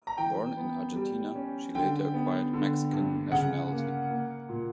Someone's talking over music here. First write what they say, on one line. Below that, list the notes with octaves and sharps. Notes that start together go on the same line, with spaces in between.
Born in Argentina, she later acquired Mexican nationality.
A#5
E3 G5
B3
G3
C#4
D3 G5
B3
D3
G2
C#3 F#5
A#3
A#3
A#2